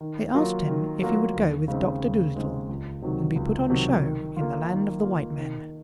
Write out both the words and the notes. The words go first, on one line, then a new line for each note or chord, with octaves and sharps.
They asked him if he would go with Doctor Dolittle and be put on show in the Land of the White Men.
D#3
F#3 A#3 F4 A#4
D#3
F#3 A#3 F4 A#4
D#2
C#3 G#3 C4 D#4
D#2
C#3 G#3 C4 D#4
C#2
C3 D#3 F#3
C#2
C3 D#3 F#3
D#3
A#3 F4
D#3
A#3 F4
D#3